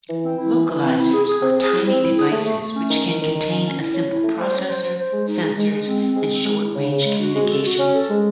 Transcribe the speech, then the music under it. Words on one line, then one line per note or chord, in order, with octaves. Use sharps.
Localizers are tiny devices which can contain a simple processor, sensors, and short-range communications.
E3
C4
E4
E3
E3
C4
E4
G#4
G#4
C4
G#4
E4
C4
E4
G#4
A3
A3
A3
C#4
D#3
D#3
D#3
D#3
C#4
C#4
E4
C#4
E4
A3
C5
C#4
C5
C5
C5
G#3
D#4
G#3
G#3
G#3
C4
C4
G#3
C4
G#3
E4
C#3
C#3
G#3
F#4
G#3
A4
F#4
C#4
A4
G#3